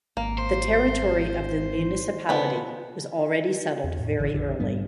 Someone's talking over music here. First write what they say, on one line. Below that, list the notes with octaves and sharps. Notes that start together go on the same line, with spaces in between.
The territory of the municipality was already settled very early.
G#1 A#3
C5
C#3 F3 B3 B5
E2
A2
A1 D3 E3
A#1 F2 D3
G#2 G3 B3 D4